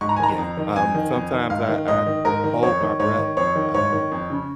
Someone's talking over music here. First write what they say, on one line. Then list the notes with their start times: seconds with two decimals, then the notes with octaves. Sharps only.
Yeah, um, sometimes I I hold my breath, um,
0.01 G#2 C#6
0.09 A#5
0.16 G#5
0.20 D#3 A#5
0.38 F2
0.57 D#3
0.76 F2 G#5
0.94 D#3
1.13 F2
1.32 D#3
1.50 G#2 F5
1.69 D#3
1.88 G#2 D#5
2.06 D#3
2.25 G#2 A#4
2.44 D#3
2.62 F2 C#5
2.81 D#3
2.99 G#2 C#5
3.18 D#3
3.37 F2 C#5
3.56 D#3
3.74 G#2 C#5
3.93 D#3
4.12 F2
4.30 C#3